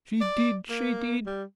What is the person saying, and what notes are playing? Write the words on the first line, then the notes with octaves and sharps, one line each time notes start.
She did--she did!
D5
A#3
G3